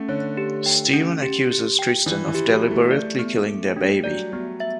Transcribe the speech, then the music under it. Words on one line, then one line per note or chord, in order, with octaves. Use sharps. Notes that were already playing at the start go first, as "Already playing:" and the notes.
Stephen accuses Tristen of deliberately killing their baby.
Already playing: A3 C#4
D3 C#5
G4
G5
C#4
G4
G4
G5
E3 D5
E3
G4
F#3
G4
A3
D5
B3
A4
G3 D4
F#3 D5
F#3 B3
E5